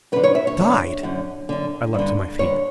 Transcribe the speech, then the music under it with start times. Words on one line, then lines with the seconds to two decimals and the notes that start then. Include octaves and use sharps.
"Died!..." I leaped to my feet.
0.12 F#2 D3 B4
0.24 C#5
0.35 E5
0.47 C#5
0.59 F#2 D3
1.03 F#2 D3
1.49 F#2 D3
1.94 G2 D3
2.39 G2 D3 C#5